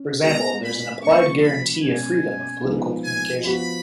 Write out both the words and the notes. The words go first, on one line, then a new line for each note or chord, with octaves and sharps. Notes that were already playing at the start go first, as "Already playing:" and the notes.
For example, there is an implied guarantee of freedom of political communication.
Already playing: C#4
G#3 B3 F#4 A#5
B5
F3 A#3 C#4 C#6
B5
B2 G#3 C#4 G#5
F3 G#3 B3 D#4
G#5
F3 B3 F#4 B5